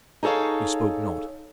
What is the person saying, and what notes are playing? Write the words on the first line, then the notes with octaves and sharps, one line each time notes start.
We spoke not.
D#4 G#4 A4 C#5 F5